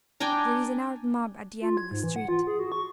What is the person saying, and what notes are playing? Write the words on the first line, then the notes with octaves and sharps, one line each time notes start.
'There is an armed mob at the end of the street.'
D4 G5 G#5 A#5
F4
G#6
G#2
E3
F#5
F4
G#4
F#4
C#6